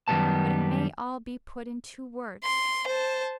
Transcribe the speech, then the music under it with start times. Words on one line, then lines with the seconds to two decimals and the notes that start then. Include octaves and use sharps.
But it may all be put in two words.
0.08 F#2 D#3 F#3 G3 B3 A5
2.44 C6
2.87 C5 A5